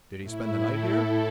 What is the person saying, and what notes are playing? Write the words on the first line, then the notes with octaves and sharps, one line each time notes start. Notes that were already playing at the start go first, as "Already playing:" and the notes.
"Did he spend the night here?"
A2 E4
A4